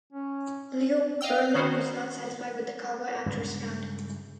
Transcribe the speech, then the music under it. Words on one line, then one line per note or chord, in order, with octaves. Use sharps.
Leo Burnett was not satisfied with the cowboy actors found.
C#4
D#5 F5 G5 E6
D#3 B3 C#4 F#4 C5
G2 C#3 G#3